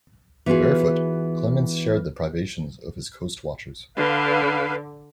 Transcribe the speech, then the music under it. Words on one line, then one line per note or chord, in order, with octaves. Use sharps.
Barefoot, Clemens shared the privations of his coastwatchers.
E3 B3 F4 F#4 G#4
D3 B4 F5